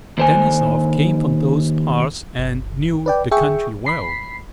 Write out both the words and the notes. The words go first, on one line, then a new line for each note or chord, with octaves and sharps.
Denisov came from those parts and knew the country well.
D#2 C5 G#5
G1
B4 D5 G5
G#4 E5 G5 C#6
B5 B6 C7